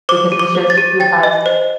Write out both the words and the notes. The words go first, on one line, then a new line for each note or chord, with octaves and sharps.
because it's just, "Who has
C5 D6
G4
D6
C5
A6
G4
G5 A6
D#5
C5